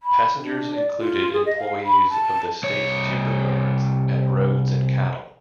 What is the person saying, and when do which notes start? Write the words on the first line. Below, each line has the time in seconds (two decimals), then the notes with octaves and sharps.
Passengers included employees of the State Timber yards at Rhodes and cattle.
0.03 B5
0.38 D4
0.75 D5
0.98 F4
1.33 G#4
1.46 D#5
1.58 F5
1.85 B5
2.09 A5
2.63 C2 C#5